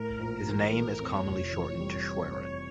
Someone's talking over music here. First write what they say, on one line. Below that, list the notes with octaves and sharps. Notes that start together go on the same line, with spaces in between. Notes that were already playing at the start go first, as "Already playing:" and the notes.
His name is commonly shortened to Schwerin.
Already playing: A2 A#4
A#1
E3
A3
F2 C#5
F1
E3
G3